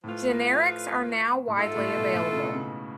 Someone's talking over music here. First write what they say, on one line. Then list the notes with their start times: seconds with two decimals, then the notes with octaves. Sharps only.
Generics are now widely available.
0.04 A2 F3 A3 F4 B4
1.48 A2
1.57 G#2 A3 F4 A4
1.76 A2
1.96 B2
2.14 A2
2.33 C#3
2.44 B2
2.55 C#3